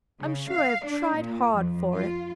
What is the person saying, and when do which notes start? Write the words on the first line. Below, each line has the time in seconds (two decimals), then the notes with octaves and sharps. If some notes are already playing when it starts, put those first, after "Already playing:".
I'm sure I have tried hard for it.'
0.21 C#3
0.51 F5
0.85 D4
1.16 A#2
1.55 F2
1.93 F4